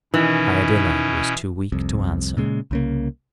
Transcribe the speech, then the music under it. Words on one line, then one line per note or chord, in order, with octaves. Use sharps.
Iadilla was too weak to answer.
B2 D#3 E3 C#4 E4
C2 F2
A#2 C#3 G#3
C2 C#3 A#3